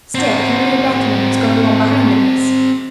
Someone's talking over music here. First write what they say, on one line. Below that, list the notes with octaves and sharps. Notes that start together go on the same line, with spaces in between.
Still he knew the beckoning was going on behind the mist.
C4 F#4